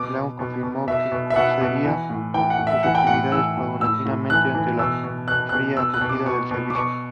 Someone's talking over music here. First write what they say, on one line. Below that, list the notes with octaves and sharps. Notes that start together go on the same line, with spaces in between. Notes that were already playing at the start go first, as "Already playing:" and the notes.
Australian timber is used throughout the building.
Already playing: B2 D6
B2
B2
B2
B2 E5
B2
E5
B2 F#5
B2
E3
A2
E3 G5
F#5
A2
E5
E3 F#5
G5
A2 F#5
E3 E6
A2
A2 E6
A2
E3 F#6
E3
B2 E6
B2
B2 F#6
B2 F#6
B2 E6
F#6
B2
D6
B2 C#6
B2
D6
B2 C#6